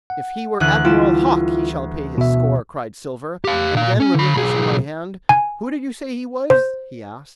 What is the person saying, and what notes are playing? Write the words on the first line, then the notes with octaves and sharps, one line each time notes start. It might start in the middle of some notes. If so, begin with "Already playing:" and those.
"If he were Admiral Hawke he shall pay his score," cried Silver; and then, relinquishing my hand, "Who did you say he was?" he asked.
F#5
D2 E3 F#6
G3 E4 F4 E7
B2 E5
G4 F5
A#2 F5
C#4
D3 B5
B1 G#4
G#5
C5